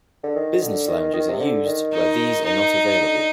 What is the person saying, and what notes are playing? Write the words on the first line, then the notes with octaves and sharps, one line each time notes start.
Business lounges are used where these are not available.
D3
D#3
D3
D#3
D#3
C3
D3
D#3
D#4
D#4
D3